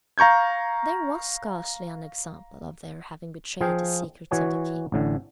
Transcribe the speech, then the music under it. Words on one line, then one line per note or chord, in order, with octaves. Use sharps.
There was scarcely an example of their having betrayed the secrets of the king.
F5 A#5 C#6 G6 G#6
F3 G#4 F5 G5
E3 F#4 C#5 G#5
A1 A2 D3